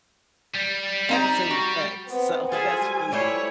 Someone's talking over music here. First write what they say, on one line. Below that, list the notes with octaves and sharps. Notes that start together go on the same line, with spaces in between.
had the same effect. So, that's funny.
G3
C4 D#4 A#5
F#4
B3 C4
F4 G#4 A4 C5 E5 G#5
G3
G3 A3 E4 C5 C#5